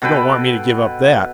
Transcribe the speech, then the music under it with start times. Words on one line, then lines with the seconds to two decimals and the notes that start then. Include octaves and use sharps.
You don't want me to give up that?
0.02 B2 A4 B4 G5